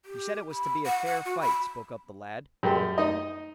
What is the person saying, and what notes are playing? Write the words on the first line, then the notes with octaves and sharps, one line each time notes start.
"You said it was to be a fair fight," spoke up the lad.
G4
B5
F#5
F#5
F#4
B5
F#2 G3 G#3 G4 C6
D#4 D#5